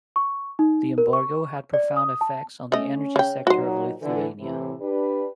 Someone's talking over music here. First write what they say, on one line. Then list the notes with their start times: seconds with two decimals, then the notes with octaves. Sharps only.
The embargo had profound effects on the energy sector of Lithuania.
0.16 C#6
0.59 D#4
0.98 A#4
1.13 C#6
1.74 D5
1.97 D#6
2.21 A5
2.72 A3 C#4 D#5
3.16 C#3 G5
3.47 A#2 F#3 D#4 F#4 C5
4.01 D3 E3 A4
4.39 A2 C3 E3
4.81 D4 G4 B4